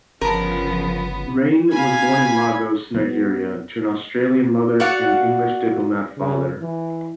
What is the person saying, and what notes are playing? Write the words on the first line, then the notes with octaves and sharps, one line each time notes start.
Reyne was born in Lagos, Nigeria to an Australian mother and English diplomat father.
G1 C#3 F3 B3 A#4
F5 G#5 B5 G#6
F#3 B3
F#4 D5 F5 F#5
C#3
E3